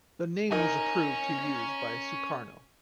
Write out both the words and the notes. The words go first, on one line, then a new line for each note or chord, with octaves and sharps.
The name was approved to use by Sukarno.
C#4 D#4 A#4 G#5 A#5